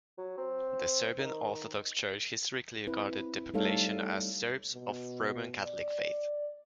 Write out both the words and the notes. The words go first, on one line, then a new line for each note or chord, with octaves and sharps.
The Serbian Orthodox Church historically regarded the population as "Serbs of Roman Catholic faith".
F#3
C4
D#3
C4 E4 B4
G3 A3 D#4 A4 C#5 F5
B2
D5